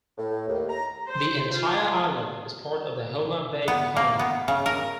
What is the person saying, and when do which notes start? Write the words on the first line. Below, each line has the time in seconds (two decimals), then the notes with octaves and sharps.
The entire island is part of the Homa Bay County.
0.18 A2
0.49 D#2
0.69 A#5
1.07 C5
1.53 F4
3.68 B3
3.96 A#3
4.19 B3
4.48 C#3
4.66 A#4